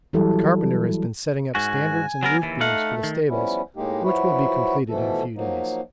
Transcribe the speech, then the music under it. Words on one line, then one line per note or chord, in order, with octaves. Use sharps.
The carpenter has been setting up standards and roof beams for the stables, which will be completed in a few days.
E3 F#3 G3 E4 A4
G#2 F#4 G#5
F#3 B3 A#4
D#2 E3
A3 D#4 F5 F#5
D#3
F3 G3 B3 C#4 E4
A2 G#3 A#3 D#4 G4
F3 F#3 E4 F#4 B4
B2 E3 F3 A3 A4
F3 F#3 A#3 D#4